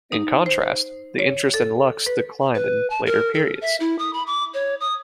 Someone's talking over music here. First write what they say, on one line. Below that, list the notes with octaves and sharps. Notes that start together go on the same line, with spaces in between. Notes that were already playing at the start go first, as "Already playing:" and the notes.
In contrast, the interest in Lux declined in later periods.
D#4
C5
C#5
A4
B4
B4
A5
A#4
A4
E5
E4
D#6
B5
D6
C#5
D#6